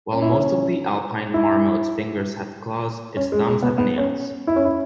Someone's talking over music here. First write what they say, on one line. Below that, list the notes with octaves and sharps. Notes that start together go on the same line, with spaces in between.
While most of the alpine marmot's fingers have claws, its thumbs have nails.
C#4
E4
C#4
E4
C#4
G#3
G#3
B3
B3
C#4
E4
C#4
E4